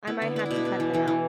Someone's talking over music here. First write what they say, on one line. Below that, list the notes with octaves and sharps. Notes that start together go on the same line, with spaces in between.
I might have to cut them out
B3 E4
D3 A4
B3 D4
B2 E4
E4
B3
E3
E3 A4
E3